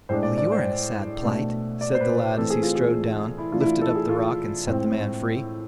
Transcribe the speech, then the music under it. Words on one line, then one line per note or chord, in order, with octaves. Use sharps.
'Well! you are in a sad plight', said the lad, as he strode down, lifted up the rock, and set the man free.
A2 G#3 D4 C5
D5
D5
C5
B2 A3 D4
D5
C5
B4
E3 A3 C4 A4
G#4
F4
G#4
E4
E3 A3 D4 F4
E4
F4
A4
G#4
F4
A2 G#3 C4